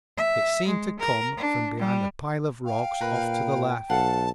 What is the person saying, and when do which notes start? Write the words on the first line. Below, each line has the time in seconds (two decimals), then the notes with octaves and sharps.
It seemed to come from behind a pile of rocks off to the left.
0.17 E5
0.68 G#3
1.00 A#4
1.37 D4
1.79 G3
2.66 F5 G5
3.01 A#2 A#4 B4 B5
3.90 B1 A4 F5 F#5 A5